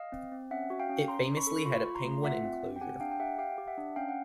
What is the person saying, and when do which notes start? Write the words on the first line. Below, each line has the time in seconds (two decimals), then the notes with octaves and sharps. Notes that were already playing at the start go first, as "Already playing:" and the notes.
It famously had a penguin enclosure.
Already playing: D#5 F5
0.12 C4
0.32 C4
0.51 C#4 E5 F#5
0.70 F#4
0.80 F5 G5
0.89 C#4
1.08 C#4 A#5 C6
1.28 C#4
1.37 B5 C#6
1.47 A4
1.66 F4 B5 C#6
1.85 F4
1.95 A#5 C6
2.04 A3
2.24 F4 E5 F#5
2.43 C4
2.62 C4
2.76 G5
2.81 G4 F#5 G#5
3.00 D4 F5 G5
3.12 G5
3.20 G4 E5 F#5
3.38 G4 F5 G5
3.58 G4
3.68 E5 F#5
3.78 D4
3.96 C#4 F5 G5
4.09 F#5